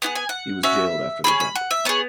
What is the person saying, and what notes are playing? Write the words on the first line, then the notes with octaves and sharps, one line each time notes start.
He was jailed after the jump.
B3 E4 G#4 F#5
G#5
F#5
C#4 F#4 E5
C#4 E4 G#4 B5
B5
F#5
E5
B3 G#4 C#5